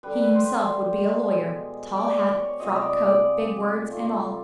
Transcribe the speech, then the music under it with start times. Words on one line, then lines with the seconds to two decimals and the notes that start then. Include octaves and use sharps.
He himself would be a lawyer--tall hat, frock coat, big words and all.
0.03 D3 G3 B4
0.12 A#4
0.20 B4
0.35 C5
1.31 B2 G#3
1.96 D5
2.40 C#5
2.60 C3 F3 G#3 D#5
2.82 D5
3.04 D5
3.90 C3 F3 A3